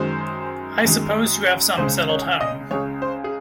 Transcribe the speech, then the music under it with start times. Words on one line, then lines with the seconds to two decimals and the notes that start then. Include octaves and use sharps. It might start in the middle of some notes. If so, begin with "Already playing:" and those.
I suppose you have some settled home.
Already playing: F#2 D#3 G#3 C5
0.84 F#2 D#3 G#3
1.77 C#2 C#3 G#3 C5
2.09 C#5
2.41 D#5
2.71 C#2 C#3 G#3 C#5
3.02 C5
3.24 G#4